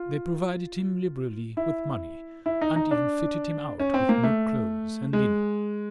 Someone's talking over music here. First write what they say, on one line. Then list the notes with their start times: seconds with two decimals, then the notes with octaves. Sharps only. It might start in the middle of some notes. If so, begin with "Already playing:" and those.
They provided him liberally with money and even fitted him out with new clothes and linen.
Already playing: F4
1.57 E4
2.46 E4
2.61 D#4
2.76 D#4
2.91 D4
3.79 C#4
3.94 C4
4.09 A#3
4.23 A3
5.13 G#3